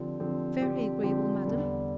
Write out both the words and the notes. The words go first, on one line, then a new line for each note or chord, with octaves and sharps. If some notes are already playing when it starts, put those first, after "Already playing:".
"Very agreeable, madam."
Already playing: D3 F3 C4 G4
D3 F3 C4 G4
D3 F3 C4 G4
D3 F3 C4 G4
E2 D3 G3